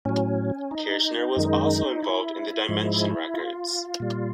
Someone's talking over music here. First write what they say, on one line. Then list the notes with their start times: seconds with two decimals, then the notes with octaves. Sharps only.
Kirshner was also involved in Dimension Records.
0.05 A2 F#3 C#4
0.71 D#4
1.37 F#2 D#3 G#3
2.03 E4
2.69 G#2 F3 G#3
3.34 F4
4.00 A#2 G3